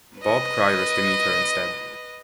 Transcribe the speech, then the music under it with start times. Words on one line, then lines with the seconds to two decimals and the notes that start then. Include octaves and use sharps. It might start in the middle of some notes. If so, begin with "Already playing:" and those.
Bob Cryer is to meet her instead.
0.20 B4 D#5